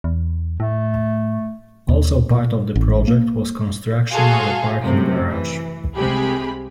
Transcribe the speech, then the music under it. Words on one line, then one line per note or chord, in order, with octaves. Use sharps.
Also part of the project was construction of a parking garage.
E2
A2 A3
D#2
A#2
A1
A#3
F#4 G#4 A4 F5 C6
F#2 A2 C3
E3
C2 C3 G#3 G4 G#4 B5